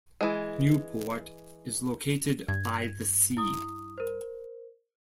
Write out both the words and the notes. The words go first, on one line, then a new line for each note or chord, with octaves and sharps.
Nieuwpoort is located by the sea.
E3 G#3
G2 G#6
E4 D#6
A#4 C5